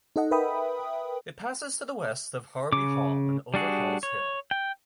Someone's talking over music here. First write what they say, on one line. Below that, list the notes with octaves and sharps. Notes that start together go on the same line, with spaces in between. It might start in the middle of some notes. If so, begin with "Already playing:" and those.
It passes to the west of Harrowby Hall and over Hall's Hill.
D#4 A4 D#5 F#5
A#4 B4 E5 G5 B5 D#6
C#3 D6
G3 D4 F#4 G#4
C#5
G5